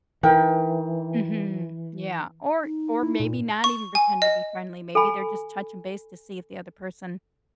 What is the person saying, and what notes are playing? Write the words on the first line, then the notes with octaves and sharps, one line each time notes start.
Mhm. Yeah. Or or maybe not even pretend to be friendly, maybe they're just touching base to see if the other person
E3 D#4 A#4 G5
D#4
E4
A#2
C#6
G#5
D#5
A4 G#5 B5